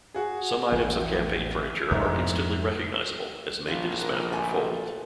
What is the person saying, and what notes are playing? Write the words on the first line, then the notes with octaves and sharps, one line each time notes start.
Some items of campaign furniture are instantly recognizable as made to dismantle or fold.
F#4 G#4
A1 D#2 A2
F2 G#2 A3 E4
A#1 C#4 F4 F#4
F#4 A#4
A3 G#5 A5